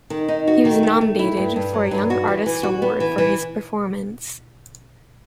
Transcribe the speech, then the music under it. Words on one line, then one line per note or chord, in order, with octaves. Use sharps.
He was nominated for a Young Artist Award for his performance.
D#3
D#4
F#4
D#3
A3
A3
E4
G2
G2
F#3
G2
F#4
E3
E3
F#4
B3
E3
E3